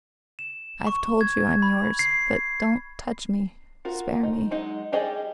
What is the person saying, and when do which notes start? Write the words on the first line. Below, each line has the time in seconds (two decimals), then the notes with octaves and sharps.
I've told you I'm yours, but don't touch me ... spare me....
0.39 E7
0.87 C#6
1.21 G#6
1.62 B5
1.99 C7
3.85 F4 F#4 A#4
4.23 D#4
4.51 F#3 G#3 D#4
4.92 G3 G4 G#4 D5 D#5